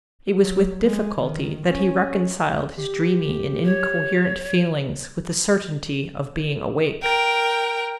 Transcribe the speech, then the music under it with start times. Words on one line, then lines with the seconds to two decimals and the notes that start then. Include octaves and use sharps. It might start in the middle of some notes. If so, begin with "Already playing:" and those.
It was with difficulty that he reconciled his dreamy and incoherent feelings with the certainty of being awake.
0.43 F#3
0.83 G#3
1.21 D#3
1.67 C#4
2.78 G4
3.64 C#5
7.02 A#4 G5